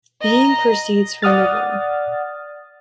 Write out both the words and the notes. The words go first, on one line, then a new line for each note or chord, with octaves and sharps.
Being proceeds from the One.
D#5 A#5
D5 F#5 D#6 F6 A6